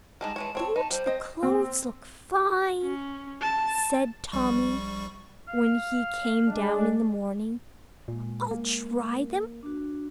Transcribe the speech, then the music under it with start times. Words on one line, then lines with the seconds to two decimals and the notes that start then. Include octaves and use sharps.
"Don't the clothes look fine?" said Tommy, when he came down in the morning; "I'll try them on."
0.21 G3 G#3 D#4 A5
0.36 E3 G#3 C#5
0.55 C4 C#5
0.76 D#4 A5
0.91 G3 C5
1.06 C4 D#5
1.43 C4
2.83 C#4
3.42 A5
4.32 A#1 G3 C#6
5.48 F5
6.47 G#3 D4
8.08 A#2 G#3
8.51 A#3
9.63 D4 F#4